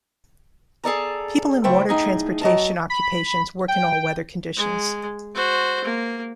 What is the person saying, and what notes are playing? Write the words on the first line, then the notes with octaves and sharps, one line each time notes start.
People in water transportation occupations work in all weather conditions.
G#4 A4 D5 A#5
C#3 A3 E4 C5 G5
A2 D#4 G#4
F#3 D#5 A5
B5
G5
G#3
F#4 C5
A#3